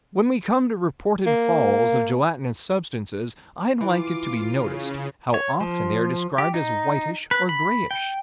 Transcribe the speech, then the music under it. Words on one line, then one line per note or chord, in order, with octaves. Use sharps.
When we come to reported falls of gelatinous substances, I'd like it to be noticed how often they are described as whitish or grayish.
A#3
E3 F4 D6
C#3
C#5
F3
G4
D#4
B4
B5
G5